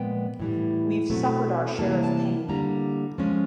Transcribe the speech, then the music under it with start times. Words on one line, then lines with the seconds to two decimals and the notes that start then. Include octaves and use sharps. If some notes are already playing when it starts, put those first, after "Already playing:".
We've suffered our share of pain.
Already playing: A#2 F3 G#3 B3 G5
0.40 A2 E3 G3
1.10 B2 F#3 A3 C4
1.79 C3 E3 G3 A#3 A5
1.92 A#5
2.04 A5
2.48 D3 G3 A#3 A#5
3.18 F3 G#3 C#4